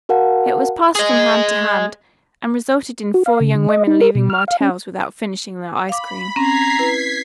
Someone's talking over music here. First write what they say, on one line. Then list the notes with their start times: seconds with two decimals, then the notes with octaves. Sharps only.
It was passed from hand to hand, and resulted in four young women leaving Martell's without finishing their ice cream.
0.09 F#4 A#4 F5 F#5 A5
0.95 G#4 D#5
3.14 F#4
3.26 F5
3.40 C#3
3.56 D3
3.69 D#5
3.87 D#4
4.01 A#4
4.15 B2
4.30 F6
4.48 F5
4.61 C#4
5.89 F5 B5 D6
6.36 C4 C#4 A#5 G#6 B6 C7
6.79 E4 B4